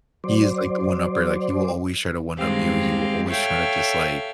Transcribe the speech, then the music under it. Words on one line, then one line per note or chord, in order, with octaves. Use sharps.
he is, like, the one upper. Like, he will always try to one up you. He will always try to just, like,
F#3 C5 D5
G2 D#3 G#3 C4 G4 F5
A4 C#5 E5 F5 G5